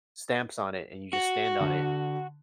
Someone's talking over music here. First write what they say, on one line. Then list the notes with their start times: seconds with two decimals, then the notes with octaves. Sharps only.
stamps on it, and you just stand on it,
1.13 F#4
1.60 D3